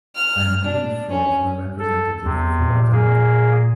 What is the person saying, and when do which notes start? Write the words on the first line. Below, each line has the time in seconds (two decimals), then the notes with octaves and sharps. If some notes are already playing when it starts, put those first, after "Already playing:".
I am giving floor to the representative of Guatemala.
0.16 F6
0.65 D4
1.10 C#4
1.79 A4
2.25 E2 C3
2.60 A#2
2.92 A#2 A#3 G#4